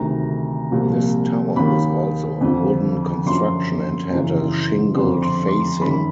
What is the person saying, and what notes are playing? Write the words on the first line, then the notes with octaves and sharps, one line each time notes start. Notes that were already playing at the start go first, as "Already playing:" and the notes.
This tower was also a wooden construction and had a shingled facing.
Already playing: D2 C3 D#3 A#5
C2 A#2 F3
D#2 D#3 B5
F2 D3 F3
F#2 D3 F3 C6
F#2 C#3 E3
F2 D3 F3 C6
C6
C6
F#2 D#3 B5